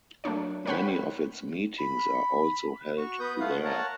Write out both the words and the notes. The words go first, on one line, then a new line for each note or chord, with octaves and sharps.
Many of its meetings are also held there.
F#3 A3 A#3 D4 C#5
A#4 C5 C#5 F#5 G5 B5
C4
B5
F#4 C#6
B3 B4 D#6 G6
A3 F4 F5 F#5
A#4 C#5 F#5 A5